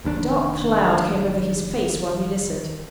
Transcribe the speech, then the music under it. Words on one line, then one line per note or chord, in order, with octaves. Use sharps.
A dark cloud came over his face while he listened.
F1 D#2 C#4 D4